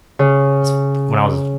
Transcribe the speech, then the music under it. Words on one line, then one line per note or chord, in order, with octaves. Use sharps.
s when I was
C#3